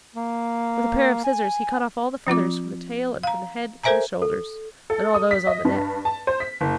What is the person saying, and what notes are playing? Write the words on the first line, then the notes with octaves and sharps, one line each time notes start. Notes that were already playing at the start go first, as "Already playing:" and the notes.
With a pair of scissors he cut off all the feathers from the tail and from the head to the shoulders, and all those on the neck.
A#3
G#5
F3 C4 F4 D6
F5 A#5
A4 A#4 C5 E5 G#5 A#5
A4
A4
D#6
B6
D#5
G2
A5
C5
B6
F#1